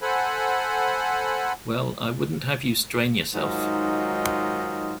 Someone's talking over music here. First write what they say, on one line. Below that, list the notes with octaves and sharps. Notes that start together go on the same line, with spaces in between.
Well, I wouldn't have you strain yourself.
A4 C5 F#5 G#5 B5
G#2 D#3 F#3 D#4 F4 D#5